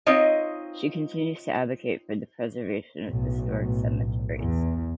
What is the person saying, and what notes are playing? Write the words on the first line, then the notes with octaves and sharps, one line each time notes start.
She continues to advocate for the preservation of historic cemeteries.
C4 D#4 F4 C#5 D#5
B1 A2
E2